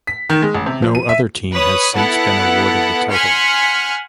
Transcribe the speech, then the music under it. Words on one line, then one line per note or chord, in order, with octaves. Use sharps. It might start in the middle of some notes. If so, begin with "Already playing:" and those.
No other team has since been awarded the title.
B6
D#3
G#3
A1
C3
F3
D#7
E5
B4 C#5 D#6
B3 E4 A4 F#5 A5
F#5 G#5 C6 F6 B6 C#7